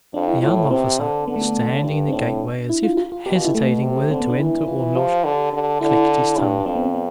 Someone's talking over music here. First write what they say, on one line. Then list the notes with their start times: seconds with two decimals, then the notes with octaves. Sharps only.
The young officer standing in the gateway, as if hesitating whether to enter or not, clicked his tongue.
0.14 F2 D4
0.28 E4
0.42 A2 F4
0.57 E4
0.70 C3 C4
0.99 D3
1.28 D3 B3
1.36 A3
1.42 B3
1.84 G2 D4
2.08 C4
2.12 A2 D4
2.69 E4
2.83 F4
2.97 F4
3.12 F4
3.26 B2 G4
3.36 F4
3.45 E4
3.54 B2 A3
3.82 C3
4.11 D3 C4
4.20 B3
4.30 D4
4.39 E3 E4
4.68 F4
4.96 F3 G4
5.24 D3
5.53 D3
5.81 D3 E4
6.38 G2 D4
6.60 D4
6.66 F2 C4
6.76 B3
6.85 C4
6.94 B3